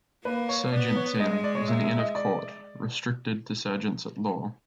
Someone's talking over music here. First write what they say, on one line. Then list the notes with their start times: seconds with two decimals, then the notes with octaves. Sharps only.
Serjeant's Inn was an Inn of Court restricted to Serjeants-at-Law.
0.25 A#3 B4
0.49 C#5
0.72 B3 D5
0.96 C#5
1.20 G#3 D#5
1.32 D#5
1.44 D5
1.55 C#5
1.68 E5
1.84 E5
1.96 E5
1.99 D#5
2.15 D5